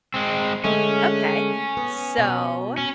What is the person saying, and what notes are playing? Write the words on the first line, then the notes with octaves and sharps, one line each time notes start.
Okay. So,
G#3 C4
D3 G#3 A3 C#4
B3
B2
C#4